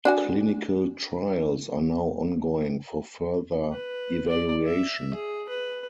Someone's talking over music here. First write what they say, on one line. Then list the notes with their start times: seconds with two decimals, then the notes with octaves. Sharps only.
Clinical trials are now ongoing for further evaluation.
0.05 D4 F#4 G#5
3.72 B4
4.29 D5
4.66 E5
5.14 G#4
5.49 B4